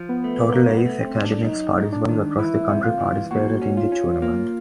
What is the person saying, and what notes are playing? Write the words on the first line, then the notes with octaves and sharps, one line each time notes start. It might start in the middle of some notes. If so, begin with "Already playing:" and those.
Total eighth academics participants across the country participated in the tournament.
Already playing: F3
B3
A3
B3
G2 A#3
B3
A3
C4
G2
D4
F#2 D#4
F#2
D4
D#3
E3 E4
C3
F4
E3
A#2 F#4
C#4
F4
C#4
A#3 F4